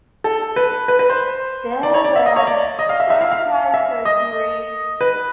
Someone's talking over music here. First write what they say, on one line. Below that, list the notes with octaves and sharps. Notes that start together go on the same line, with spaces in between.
There — there — don’t cry so, dearie.
A4
B4
B4
B4
C5
D5
C#5
D5
E5
D#5
C#5
D5
D#5
F5
E5
E5
F5
F5
E5
D#5
B4